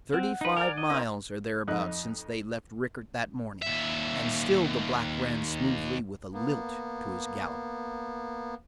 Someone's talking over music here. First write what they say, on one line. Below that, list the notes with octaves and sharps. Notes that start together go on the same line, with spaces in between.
Thirty-five miles, or thereabouts, since they left Rickett that morning, and still the black ran smoothly, with a lilt to his gallop.
C4 F#5
D#4 B4
A#4 D5 G#5
D#5
A#3 C4 D#4
F2 D#4 F#6
D#2 E5
A#3 B3